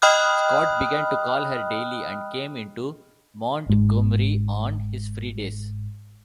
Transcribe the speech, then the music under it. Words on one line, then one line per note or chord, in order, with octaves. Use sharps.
Scott began to call her daily, and came into Montgomery on his free days.
D#5 G5 B5 D#6 F6 F#6
G1 G#2